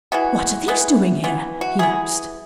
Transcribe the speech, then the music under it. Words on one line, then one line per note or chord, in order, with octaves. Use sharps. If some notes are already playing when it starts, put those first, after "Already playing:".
"What are these doing here?" he asked.
E3 G#3 B3 F#4
E3 G#3 B3
E3 B3
F#4
E3 B3 G#4